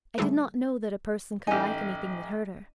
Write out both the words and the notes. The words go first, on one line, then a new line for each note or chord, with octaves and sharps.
I did not know that a person could like anything that hurt her.
D3 G3 A3 D#4 G#4 A4
A1 D#4 G4 G#5